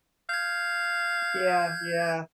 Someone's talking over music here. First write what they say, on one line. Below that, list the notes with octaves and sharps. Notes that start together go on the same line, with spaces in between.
Yeah, yeah.
F5 G6 G#6